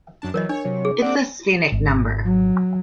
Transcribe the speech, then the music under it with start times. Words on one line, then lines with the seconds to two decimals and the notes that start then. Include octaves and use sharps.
It is a sphenic number.
0.22 F#2 D4 A5
0.34 E3 F#3 A#4 C#5 D#5
0.49 D4 C#5
0.65 C3 F#3 C#5
0.85 G#4
1.02 A#3 C4 D4 D5 F#5 D6
1.72 G#1
2.25 F#3